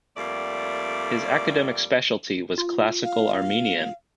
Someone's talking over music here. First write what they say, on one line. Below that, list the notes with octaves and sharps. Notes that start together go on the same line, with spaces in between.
His academic specialty was Classical Armenian.
F2 G3 A3 A#3 D5
F4
F5